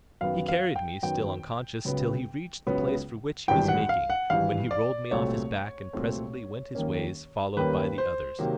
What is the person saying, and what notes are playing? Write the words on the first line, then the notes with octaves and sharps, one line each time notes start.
He carried me still unconscious till he reached the place for which he was making, when he rolled me off his back and presently went his ways followed by the others.
F#2 D#3 F#3 B3 F5
F5
G5
F#2 D#3 F#3 B3 G5
C#2 C#3 F#3 B3
C#2 C#3 F#3 B3
G#1 G2 E3 G5
F#5
F5
F#5
G#1 G2 E3 F5
D5
C2 A#2 F#3 A3 C4 C#5
C2 A#2 F#3 A3 C4
D#2 D#3 G3 A#3 C#4
D#2 D#3 G3 A#3 C#4 B4
C5
C3 D#3 F#3 A#3